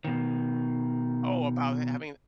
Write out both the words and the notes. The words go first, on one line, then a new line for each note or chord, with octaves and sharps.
Oh, about h having
B2 D#3